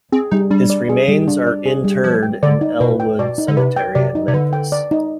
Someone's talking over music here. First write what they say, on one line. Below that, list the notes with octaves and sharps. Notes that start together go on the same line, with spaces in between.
His remains are interred in Elmwood Cemetery in Memphis.
C4 G#4
G3 D#4
G3 D4
D5
G#4
G3
D4
D5
G#4
G3
F3 B4
G5
D3 D5
D#4
B2 B4
G5
B2 D5
D#4
D3
C3 B4
G5
C3 D5
D#4
C3
D3 B4
G5
D5
D#4